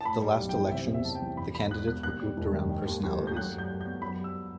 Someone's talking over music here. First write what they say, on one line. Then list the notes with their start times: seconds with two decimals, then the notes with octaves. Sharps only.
At the last elections the candidates were grouped around personalities.
0.01 A5
0.05 A2 B5
0.22 G3
0.39 B1
0.49 G5
0.56 E3
0.71 C3 E5
0.88 E2
0.94 E5
1.05 E2 A5
1.15 G5
1.22 E3
1.37 E2 B5
1.54 G3 B5
1.70 E1 F#6
1.87 B2 F#6
2.03 D#2 F#6
2.21 G3
2.37 E1
2.54 D#3
2.69 D#3
2.87 D#2
3.03 D#2
3.19 A3
3.27 G6
3.37 F#3 F#6
3.53 F#2
3.58 G6
3.69 F#2
3.81 G6
3.86 B3
4.02 F#2 B5
4.19 G3
4.24 E6